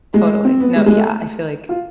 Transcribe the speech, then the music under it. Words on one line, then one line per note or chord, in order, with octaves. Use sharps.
Totally. No, yeah, I feel like
G#3
C4
B3
G#3
G#3
A3
F4